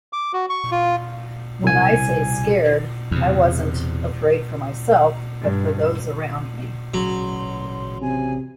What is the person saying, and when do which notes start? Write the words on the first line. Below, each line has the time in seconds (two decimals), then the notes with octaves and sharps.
When I say scared, I wasn't afraid for myself, but for those around me.
0.13 D6
0.33 F#4
0.50 C#6
0.71 F4
1.63 C2 G#5
3.11 E2 C3
5.42 G2
6.94 A1 C#3 F#3 C6
8.01 C3 G#5